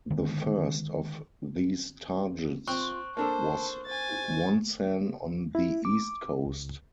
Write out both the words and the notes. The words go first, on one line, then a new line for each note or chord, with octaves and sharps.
The first of these targets was Wonsan on the east coast.
D3 D#3 G#3 B3
C4 F4 C#6 F#6
A#3 D4 A4 C5 A5
C5 G#5 A6
E4
D6
C#2